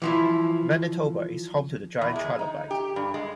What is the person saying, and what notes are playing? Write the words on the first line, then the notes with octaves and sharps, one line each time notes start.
Manitoba is home to the giant trilobite.
E3 F3 E4
E2
G#3
D#4
G4
G2
G#3